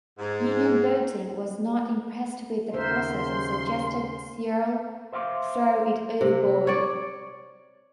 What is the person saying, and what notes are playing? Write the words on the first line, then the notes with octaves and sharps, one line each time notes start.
Union Boating was not impressed with the process and suggested Searle throw it overboard.
G#2
D#2 C#3 A#4 C5 E5 C6
C5 E5 F5 C6 D6
C3
C#5 D5